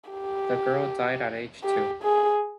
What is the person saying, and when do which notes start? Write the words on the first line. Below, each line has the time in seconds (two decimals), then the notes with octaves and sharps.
The girl died at age two.
0.10 G4
1.64 G4
2.03 G#4